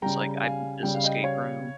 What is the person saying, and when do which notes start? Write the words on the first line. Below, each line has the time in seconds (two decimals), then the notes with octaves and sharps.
That's like, "I beat this escape room."
0.02 C#3 G3 G5 A#5
0.43 F5 G#5
0.83 C#3 G3 G5
0.94 F5
1.04 D#5 G5
1.23 C#5 F5